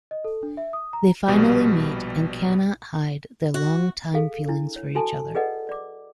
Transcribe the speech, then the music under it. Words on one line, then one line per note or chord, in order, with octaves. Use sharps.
They finally meet and cannot hide their long-time feelings for each other.
D#5
A4
D4
E5
D#6
A#5
A#1 B2 G3
F#4
G#4 A4 F5
D4 E4
C#5
F#4 A4 G#5 A5
G#4 A4 B4 D5 D#5 F#5
D5 D6